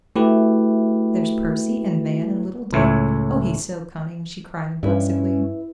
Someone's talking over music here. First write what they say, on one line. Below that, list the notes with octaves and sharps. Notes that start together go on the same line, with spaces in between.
"There's Percy, and Van, and little Dick--oh, he's so cunning!" she cried, impulsively.
A3 E4 F#4 G4 B4
C#2 A2 E4 C#5
G2 C#4 E4 B4